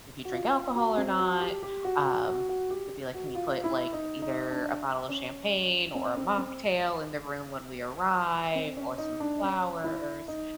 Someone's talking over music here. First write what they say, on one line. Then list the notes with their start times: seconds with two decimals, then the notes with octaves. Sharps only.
if you drink alcohol or not. Um, it'd be like, "Can you put like either a bottle of champagne or a mocktail in the room when we arrive or some flowers?"
0.25 F#4
0.32 F4
0.75 F#4
0.97 C4
1.19 F#4
1.41 G4
1.63 G4
1.84 F#4
2.05 F#4
2.27 F#4
2.49 F#4
2.70 G4
3.14 F#4
3.35 F4
3.64 E4
3.93 D#4
4.22 D#4
4.51 D4
5.09 C#4
5.95 C4
6.17 C4
6.38 C4
8.55 C4
8.77 C#4
8.98 D#4
9.20 D4
9.42 C#4
9.84 E4
10.28 D#4